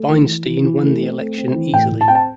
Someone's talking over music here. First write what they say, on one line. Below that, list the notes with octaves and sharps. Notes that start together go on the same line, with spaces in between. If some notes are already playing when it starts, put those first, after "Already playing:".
Feinstein won the election easily.
Already playing: A3
E3
E3
E3
E3
A3
C4
A3
C4
E3
A2 G5
A2
A5
C4 G5
A5